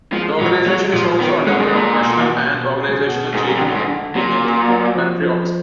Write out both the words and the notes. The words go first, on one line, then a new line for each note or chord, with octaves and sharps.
The organization is also undergoing operational and organizational change in its country offices.
F3 G#3
A#2 F#3
F#3 G#3
A#2 F3
D#3 B3
D3 G#3
F#2
G#2
A#2 A#3
B2
B2
B2
G#4
B2
G#2 A#3
F#2
F2
D3
F#2
G#2
D3
A#2 F#3
A#3
F#3
F3
F3